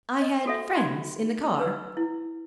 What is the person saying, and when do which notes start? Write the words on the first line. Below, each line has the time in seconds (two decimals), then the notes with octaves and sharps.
"I had friends in the car."
0.22 D#5
0.45 F#4 A4 E5
0.74 D#4 F#4 G4 B5 C6
1.60 B4 E6
1.97 E4